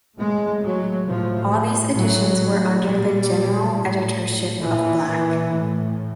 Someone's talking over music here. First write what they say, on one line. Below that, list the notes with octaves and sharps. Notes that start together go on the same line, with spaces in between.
All these editions were under the general editorship of Black.
A2 G#3
F#3
A2 F3
A2 F#3
A#2 G3
A2
A#2 E3
A2